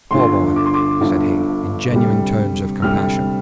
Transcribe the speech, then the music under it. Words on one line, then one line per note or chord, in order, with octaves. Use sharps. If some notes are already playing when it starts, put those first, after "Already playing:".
"Poor boy!" said he, in genuine tones of compassion.
G1 G2 D3 F3 C6
D6
C6
D6
G1 G2 D3 F3
D2 C3 G3
D2 C3 G3 F6